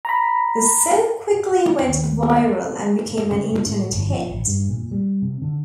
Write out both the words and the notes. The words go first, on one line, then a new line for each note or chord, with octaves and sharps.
The song quickly went viral and became an internet hit.
A#5 B5
D#2
C#3
A2
G1
F3
A1
G2
A#2
G3
C3
D3